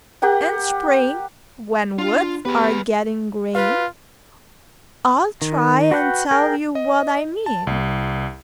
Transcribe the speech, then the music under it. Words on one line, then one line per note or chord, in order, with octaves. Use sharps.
'In spring, when woods are getting green, I'll try and tell you what I mean.'
G4 A#4 F#5 G5
D4 F4
B3 G4 G#4 B4
F4 B4 F5
D#3
F#4 B4 F#5 G5
G#4 A#4 G5
D#5
A5
C2